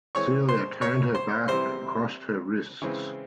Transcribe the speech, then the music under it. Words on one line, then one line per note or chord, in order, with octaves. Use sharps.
Celia turned her back and crossed her wrists.
E3 G#3 C4 C#5 C#6
C5 C6
C#5 C#6
C5 C6
C3 E3 G3 C4 C5 C6
C#3 E3 G#3 C4